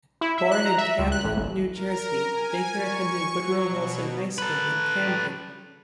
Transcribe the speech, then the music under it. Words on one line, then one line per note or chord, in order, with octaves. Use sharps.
Born in Camden, New Jersey, Baker attended Woodrow Wilson High School in Camden.
E4
E5
F#6
A#5
E5
C#2
F#6
A1
G1
A#4
G#5
C#6
F#3
B2
A4 B4